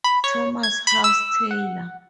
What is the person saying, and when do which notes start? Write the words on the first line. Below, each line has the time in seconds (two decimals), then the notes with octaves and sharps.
Thomas House Taylor.
0.04 B5
0.24 C#5
0.63 G#6
0.87 B5
1.04 E6
1.51 F#5